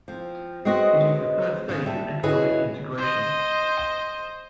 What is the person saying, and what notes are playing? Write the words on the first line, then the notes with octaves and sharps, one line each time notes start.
It is the third stage of economic integration.
F3 C4
G#3 B3 C4 F#4 C#5 D#5
C#3
G3 E5 A5
E4 F#4 G#4 B4 C#5 D#5
C5 D#5